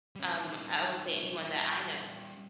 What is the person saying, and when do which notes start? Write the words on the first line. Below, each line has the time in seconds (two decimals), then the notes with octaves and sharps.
Um, I would say anyone that I know.
0.16 G3 C#4